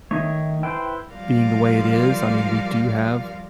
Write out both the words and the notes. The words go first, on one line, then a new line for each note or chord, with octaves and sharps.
being the way it is, I mean, we do have
D#3 A3 D#4 C#5 E5
E4 B4 C5 G5
F3 G3 A#4 D5 F5